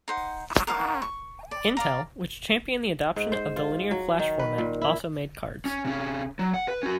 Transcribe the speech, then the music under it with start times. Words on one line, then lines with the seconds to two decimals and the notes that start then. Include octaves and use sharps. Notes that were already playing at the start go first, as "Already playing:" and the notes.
Intel, which championed the adoption of the Linear Flash format, also made cards.
0.08 D#4 C5 F#5
0.67 A#4 F5 F#5
1.02 C#6
1.51 D5
1.77 D5 F5 A#5
3.16 G#2
3.32 C5
3.56 F4
3.91 F#3
4.19 D#3
4.39 B4
4.58 A#2
4.81 E4
5.65 C#4
5.85 C3 C#4
6.39 F#3
6.54 F#5
6.68 B4
6.83 C#4 F#4